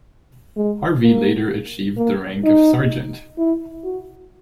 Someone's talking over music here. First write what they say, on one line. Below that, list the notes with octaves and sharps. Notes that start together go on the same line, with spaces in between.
Harvey later achieved the rank of sergeant.
G#3
A#3
A#3
D#4
E4
F#4